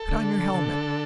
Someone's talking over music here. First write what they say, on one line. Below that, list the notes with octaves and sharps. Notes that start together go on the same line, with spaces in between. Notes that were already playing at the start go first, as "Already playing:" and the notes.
"Put on your helmet!"
Already playing: A4
D3
D3